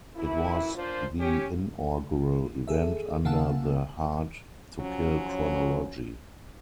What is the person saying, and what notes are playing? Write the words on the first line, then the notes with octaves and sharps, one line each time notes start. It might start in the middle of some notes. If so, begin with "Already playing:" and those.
It was the inaugural event under the Hard To Kill chronology.
F#2 E3 E4
A#2 F3 D4 F4 C5
C#4 G4
G#4 A4 E5
C#3 A#3 F5 F#5 A5 E6
F3 F#3 C#4